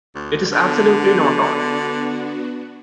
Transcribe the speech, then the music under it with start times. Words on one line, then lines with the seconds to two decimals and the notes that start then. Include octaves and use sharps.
It is absolutely not on.
0.15 D2
0.51 D3 B3 D4 F#4